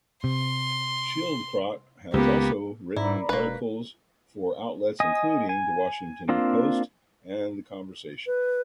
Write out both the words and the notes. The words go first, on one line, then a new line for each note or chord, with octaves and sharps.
Schildkraut has also written articles for outlets including "The Washington Post" and "The Conversation".
C3 C6
C#2 A#3 B3 G4
G#2 E4 D5 A#5 B5
E1 A#3 B4
D#5 G#5 D#6
G#5
A#3 C4 D4 F4
B4